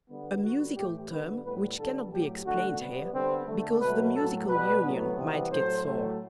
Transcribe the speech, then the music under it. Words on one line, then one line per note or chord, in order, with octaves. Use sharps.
A musical term which cannot be explained here, because the Musical Union might get sore.
D3 G3 B3
D3 G3 B3 F#4
A2 E3 A3 G4
D3 G3 B3 B4
A2 G3 B3 B4
D3 G3 B3 A4
A2 F#3 A3 G4
D3 A3 F#4
C3 G3 B3
D3 G3 B3 C4
D3 A3
B2 F#3 A3 B4
A2 F#3 A3 A4
B2 G3 B3 B4
A2 F#3 B3
C3 E3 G3 B3
A2 F#3 A3 C5
A2 F#3 A3